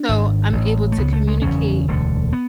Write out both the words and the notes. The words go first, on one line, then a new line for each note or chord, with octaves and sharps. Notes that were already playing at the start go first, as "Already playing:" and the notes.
so, I'm able to communicate
Already playing: D4
G#1 G#2
A1 A2
A3
C#2 C#3 B3
A3
G#3
F#1 E2 C#3 C#4
E1 D2 D3
B3